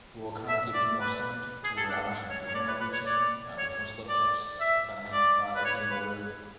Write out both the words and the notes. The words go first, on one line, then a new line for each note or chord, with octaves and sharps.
will, kinda, get me more centered to where I'm actually doing my routine. Uh, there's no slip ups. I, kinda, have my everything in order,
E5
D5
B4
G#4
A4
D4
C#5
C#5
D5
B4
B4
C#5
D5
C#5
D5
E5
D5
B4
C#5
B4